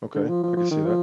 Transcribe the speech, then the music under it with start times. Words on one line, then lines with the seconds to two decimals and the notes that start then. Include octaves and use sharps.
Okay, I could see that.
0.15 D3
0.29 F3
0.43 F3
0.57 F3
0.71 D#3
0.86 F3